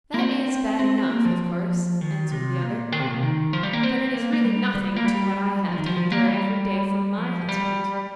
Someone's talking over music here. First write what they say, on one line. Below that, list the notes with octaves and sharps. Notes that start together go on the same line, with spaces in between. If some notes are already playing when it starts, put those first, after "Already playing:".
'That is bad enough, of course,' answered the other; 'but it is really NOTHING to what I have to endure every day from MY husband.
A#3
C4
C4
C4
A#3
F3
D#3
C3
A#2
D#3
C3
A#2
C3
D#3
F3
G3
A#3
C4
A#3
A#3
G3
G3
A#3
G3
F3
D#3
F3
F3
A#3
G3
F3
G3